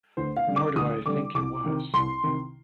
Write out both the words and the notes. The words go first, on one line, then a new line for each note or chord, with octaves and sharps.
Nor do I think it was.
D2 C5
F5
D3 G3
D6
D2 D#6
D3 G3 D6
C2 D6
C3 D#3
C2 C6
C3 D#3